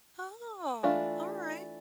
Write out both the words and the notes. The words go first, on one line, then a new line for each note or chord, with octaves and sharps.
Oh, alright.
E3 A3 D4 F4